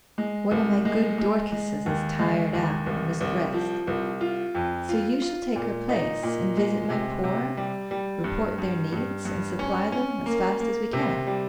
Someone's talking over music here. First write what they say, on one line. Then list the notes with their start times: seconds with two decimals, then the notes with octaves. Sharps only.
One of my good Dorcases is tired out and must rest; so you shall take her place and visit my poor, report their needs, and supply them as fast as we can.
0.18 G#3
0.51 C2
0.85 G#3
1.18 G#3
1.52 G#3
1.86 D#2
2.19 G#3
2.53 D#2
2.87 C2
3.21 C2
3.54 F3
3.87 C2
4.21 F4
4.55 F2
4.89 F4
5.22 F4
5.56 A#2
5.89 D#4
6.23 A#2
6.57 G#3
6.90 C3
7.24 C3
7.57 G3
7.91 G3
8.24 G2
8.58 G2
8.92 G2
9.25 G2
9.59 C#4
9.92 C#4
10.26 A#3
10.60 A#3
10.93 C3
11.27 G3